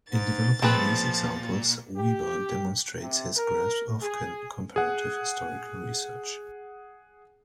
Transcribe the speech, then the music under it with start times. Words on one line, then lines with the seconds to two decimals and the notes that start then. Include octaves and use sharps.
In developing these examples, Weber demonstrates his grasp of comparative historical research.
0.10 G#2 A6
0.62 A#2 F3 C4 G#4 B4
1.96 G4
3.00 C3
3.36 A#4
4.01 G#4
4.76 G#4 F#5